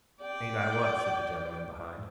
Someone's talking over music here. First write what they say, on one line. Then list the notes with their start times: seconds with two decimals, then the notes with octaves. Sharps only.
'Ain't I what?' said the gentleman behind.
0.21 D5 G5